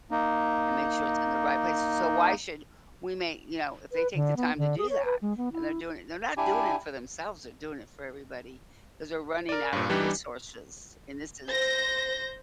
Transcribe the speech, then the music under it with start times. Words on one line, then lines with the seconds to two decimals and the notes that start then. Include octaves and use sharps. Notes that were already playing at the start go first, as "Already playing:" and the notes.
and make sure it's in the right place. S so why should we make, you know, if they take the time to do that, and they're doing it and they're not doing it for themselves, they're doing it for everybody 'cause they're running out of resources and this is
0.11 A#3 D#4
3.92 B4
4.15 D3
4.37 B3
4.58 D3
4.78 G#4
4.90 C#5
5.05 B4
5.22 G#3
5.37 B3
5.53 E4
6.37 D4 E4 G4 G#5
9.49 A#4 D5
9.73 G2 A#2
9.89 E3 G3 D4 D#4 G4 B4
11.47 C5 G6 A#6